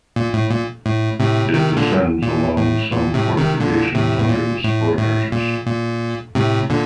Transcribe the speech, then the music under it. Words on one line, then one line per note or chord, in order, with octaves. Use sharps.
It descends along some fortifications under the support arches.
A#2
A2
A#2
A2
A2 C3
C3 D#3
A#2 D3
A#2
A2
A#2
A2 C3
C3 D#3
A#2 D3
A2 C3
A2
A#2
A2
A2
A#2
A#2
A2 C3
A#2 D3